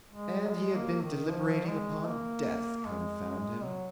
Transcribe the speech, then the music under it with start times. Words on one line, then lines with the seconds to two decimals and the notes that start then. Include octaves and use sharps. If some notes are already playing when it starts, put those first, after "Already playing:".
And he had been deliberating upon death--confound him!
0.10 G#3
0.45 F#3
0.49 G#3
0.76 A#3
1.02 D#3
1.28 F3
1.68 G#3
2.07 A#3
2.86 G#3
3.65 F#3